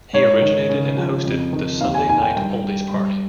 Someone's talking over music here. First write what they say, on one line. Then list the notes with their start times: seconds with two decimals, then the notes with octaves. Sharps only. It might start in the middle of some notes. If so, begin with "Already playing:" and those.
He originated and hosted "The Sunday Night Oldies Party".
0.13 G#2 C#5
0.42 D#3
0.69 C#3
0.97 F3
1.25 F2
1.53 D#3
1.81 D#2 F5
1.94 G#5
2.09 D#3 G#5
2.22 G5
2.36 G2 G5
2.64 G3
2.92 G2